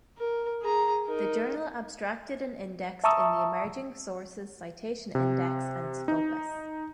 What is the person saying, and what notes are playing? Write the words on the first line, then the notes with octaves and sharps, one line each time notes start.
The journal abstracted and indexed in the Emerging Sources Citation Index and Scopus.
A#4
G#4 A#5
D#4 A#4
E5 A5 A#5 C#6 D#6 E6
C3
D#4